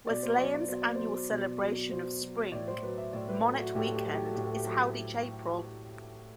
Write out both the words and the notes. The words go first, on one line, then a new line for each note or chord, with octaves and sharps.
Wesleyan's annual celebration of spring, Monnett Weekend, is held each April.
B2 D5
C5
F#3 D5
D5
B2 C5
D5
C5
F#3
B2
F#3
B2 C5
F#3
A2 D5
C5
F#3 B4
E5
A2 D5
B4
F#3 A4
F#4
A2 G4
A4
G4
F#3 A4
G4
A4
A2 G4
A4
G4
F#3 A4